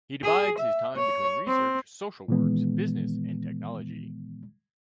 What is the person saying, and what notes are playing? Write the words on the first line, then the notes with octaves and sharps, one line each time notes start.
He divides his time between research, social works, business and technology.
G#4
E5
C#5
C4
A#2 D#3 E3 G#3 B3